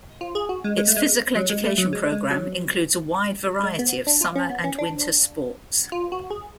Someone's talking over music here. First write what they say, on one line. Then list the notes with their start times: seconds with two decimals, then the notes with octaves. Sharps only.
Its physical education program includes a wide variety of summer and winter sports.
0.21 F4
0.35 G#4
0.49 F#4
0.64 G#3
0.77 G#3
0.88 A3
0.97 G#3
1.35 F#3
1.50 G#3
1.64 A3
1.78 F#3
1.93 G#3
2.12 G#3
2.31 F#3
3.63 G#3
3.79 B3
4.07 D4
4.21 F4
4.36 C#4
4.50 B3
4.64 C#4
4.79 D4
5.92 F4
6.12 F#4
6.30 G#4